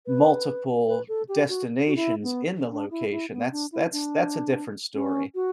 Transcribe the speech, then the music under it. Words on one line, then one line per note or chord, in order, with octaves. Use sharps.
multiple destinations in the location, that's that's that's a different story.
B4
B4
A4
G4
F#4
F#4
E4
B3
D4
E4
E4
B3
D4
E4
D4
C#4
F#4